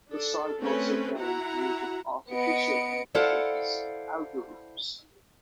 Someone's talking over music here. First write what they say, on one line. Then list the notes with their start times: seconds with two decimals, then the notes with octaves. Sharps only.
The site also made use of artificial intelligence algorithms.
0.11 D4 A4
0.60 A3 C4 C#4 B4
1.19 E4 F#4 F#5 A#5
2.32 B3 D#5 C#7 D7
3.15 E4 A4 C5 D5 F5 F#5